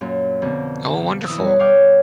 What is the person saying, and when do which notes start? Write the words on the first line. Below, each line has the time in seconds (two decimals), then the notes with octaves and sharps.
Oh, wonderful.
0.01 F#2 A#2
0.42 F2 B2 D3
1.25 E3 D#6 E6
1.38 G3 B4 C#5 D#5
1.59 C#5 F5 G5 D6 F#6